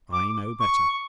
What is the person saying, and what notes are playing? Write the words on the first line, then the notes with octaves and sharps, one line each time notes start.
I know better.
D6
C#6